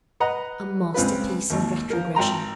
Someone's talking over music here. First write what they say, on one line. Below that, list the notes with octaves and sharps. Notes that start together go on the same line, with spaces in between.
A masterpiece in retrogression.
B4 D#5 F#5 A#5
C#2 C4 F4 B4
G#1 D#2
F3 A#4
G#1 G5 A#5 C6